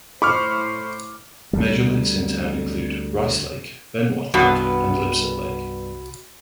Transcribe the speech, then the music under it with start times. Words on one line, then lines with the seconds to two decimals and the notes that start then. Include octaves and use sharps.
Major lakes in town include Rice Lake, Benoit Lake, and Lipsett Lake.
0.22 A2 C5 B5 C#6 D6 F6
1.53 D2 G3
4.34 C2 G2 B3 F#4 B5